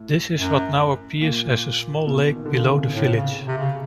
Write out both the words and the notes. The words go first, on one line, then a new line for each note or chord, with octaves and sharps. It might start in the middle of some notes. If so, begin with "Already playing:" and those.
This is what now appears as a small lake below the village.
Already playing: A2
F#2
A#2
B2
D#3
D3
C#3
C3
A2
C#3
C3
C#3